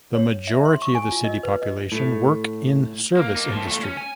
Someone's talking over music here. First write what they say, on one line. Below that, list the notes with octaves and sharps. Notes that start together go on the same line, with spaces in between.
The majority of the city population work in service industry.
C#5
E5
C6
C#6
G#5
F4
D#5
B4
D#5
A2
A#3
A#3 D#4
A2 F3
A#2 A3
C#4
G#5